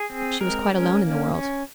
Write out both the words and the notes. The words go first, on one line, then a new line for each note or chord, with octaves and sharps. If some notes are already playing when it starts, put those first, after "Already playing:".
She was quite alone in the world.
Already playing: G#4
C4
G#3 A#4
C#4
A#3
C#4